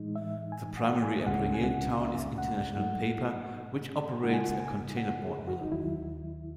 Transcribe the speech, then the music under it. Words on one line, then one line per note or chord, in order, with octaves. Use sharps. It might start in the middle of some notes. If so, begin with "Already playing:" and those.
The primary employer in town is International Paper, which operates a containerboard mill.
Already playing: A2 E3 G#3 D#4
E5
G#5
F#5
G#5
C#2 C#3 G#3 C#4 F#5
G#5
F#5
E5
F#5
G#2 F#3 A3 D#4 F#5
C#3 G#3 D#4 F#5
G#5
F#5
G#5
F#5
G#4
F#4
D#4
D#2 D#3 F#3 E4